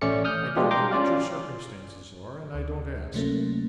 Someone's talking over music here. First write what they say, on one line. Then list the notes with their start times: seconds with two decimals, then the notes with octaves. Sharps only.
I don't know what your circumstances are, and I don't ask.
0.01 A1 A3 C#4 D5 C#7
0.25 D#6 F6 G6
0.57 B2 G#3 D4 F4 G4
0.71 G5 A#5 C6 D6
0.91 C#4 F4 D5 F5
2.54 D2
3.14 C3 F#3 A3 A#3 C#4